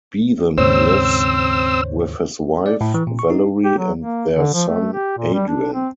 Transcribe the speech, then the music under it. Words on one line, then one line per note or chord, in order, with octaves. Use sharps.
Bevan lives with his wife, Valerie, and their son, Adrian.
D#2 G#2 C#3 C4 C5 C#5 E6
D5
A2
E3
A#2
C#6
D#4
G4
F#3
A#3
D3
F3
A3
G4
A#2
G3
D4
C4